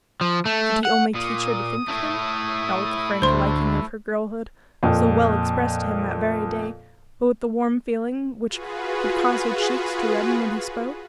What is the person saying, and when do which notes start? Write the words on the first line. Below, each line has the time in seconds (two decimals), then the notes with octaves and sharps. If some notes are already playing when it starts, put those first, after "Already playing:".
Should he only teach her to think of him, not with the frank liking of her girlhood, so well expressed to him that very day, but with the warm feeling which would cause her cheeks to redden when he spoke?
0.21 F3
0.46 A3
0.85 F#5
1.15 A#2 D#6
1.88 A3 E4
3.22 D2 C5 C6
4.83 F2 A#2
8.48 F4 F#4 G#4 B4